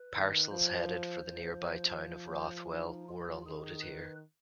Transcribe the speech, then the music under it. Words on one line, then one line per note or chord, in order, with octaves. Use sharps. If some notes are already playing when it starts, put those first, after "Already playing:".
Parcels headed for the nearby town of Rothwell were unloaded here.
Already playing: B4
D#3
F3 C5
F3
D#4
F4
D#3 G#4
B4